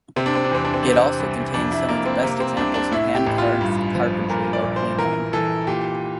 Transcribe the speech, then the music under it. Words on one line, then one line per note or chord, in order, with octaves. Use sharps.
It also contains some of the best examples of hand carved carpentry locally known.
C3 C4
D4
C4
D4
E2 C4
D4
C4
C3 D4
C4
C2
F2 D4
E4
F1 A#3
C4
C3 A#3
C4
C2 D4
D4
A2 E4
G4
A1
F4
G2
F3
A#2 A#4
D5
A#1
C5
E3 A#4
E3 A4
A#2 G4